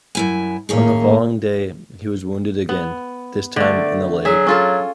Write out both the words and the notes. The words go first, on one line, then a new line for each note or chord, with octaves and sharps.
On the following day, he was wounded again, this time in the leg.
F#2 E4 G#5
D#2 A2 A#3 C#4 G#4
B3
D3 A3 D5
F#3 G#4 E5
C#4 F4 A4